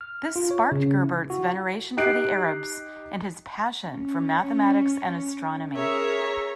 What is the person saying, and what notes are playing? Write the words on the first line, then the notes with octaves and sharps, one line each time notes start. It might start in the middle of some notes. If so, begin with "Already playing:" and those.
This sparked Gerbert's veneration for the Arabs and his passion for mathematics and astronomy.
F6
F4
C#5
C#3
E4
F#4
D#4 G4 D#5 F#6 C7 D7
C#4
G#4 A#4 C#5 E5 A#5